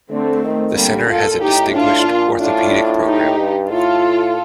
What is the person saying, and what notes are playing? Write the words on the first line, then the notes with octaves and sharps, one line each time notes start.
The center has a distinguished orthopedic program.
D3 A3 C4
D#3
D3 G3 A#3
A#2 F4 A4
A2 D#4 G4
D4 F4
A#2
A2 D4 F4
D#4 G4
G2
A2 F4 A4